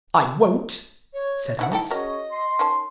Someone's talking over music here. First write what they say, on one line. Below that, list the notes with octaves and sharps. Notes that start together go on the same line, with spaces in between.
'I won't!' said Alice.
C#5
D#4 E4 F#5
D#4 E4 A4 G5
C#4 F#4 G#4 A#4 C#5 D#5
C6
D#3 C#4 A5